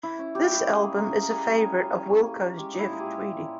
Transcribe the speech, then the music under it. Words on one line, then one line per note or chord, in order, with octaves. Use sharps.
This album is a favorite of Wilco's Jeff Tweedy.
E3 E4
C#4
G3 G4
A#3
C#4 G#4
A#3
E3 A#4
A#3
A#4
G3 G#4
G3
C#4
G3
C#4
C#4
A#3
A#3
G#3 G4
A#2 D#4
E4
G#3 G#4
G4
G#3
A#2
C#4